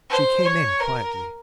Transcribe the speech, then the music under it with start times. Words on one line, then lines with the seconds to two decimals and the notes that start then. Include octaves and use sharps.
She came in quietly.
0.10 C5
0.45 C#5
0.80 A#4